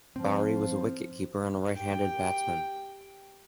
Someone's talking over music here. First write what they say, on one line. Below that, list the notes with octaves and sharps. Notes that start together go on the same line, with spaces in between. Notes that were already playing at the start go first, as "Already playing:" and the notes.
Bari was a wicket-keeper and right-handed batsman.
F3 C4
G4 G5